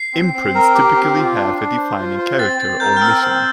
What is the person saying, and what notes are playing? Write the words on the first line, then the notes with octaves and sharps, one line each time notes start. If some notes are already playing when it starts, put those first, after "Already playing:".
Imprints typically have a defining character or mission.
Already playing: C7
C4
C4
A#4
G4
C4
F4
D4
D4
C5
F4
C5
C4 A6
C4 A6
A#4 G6
F6
C4 E6
C4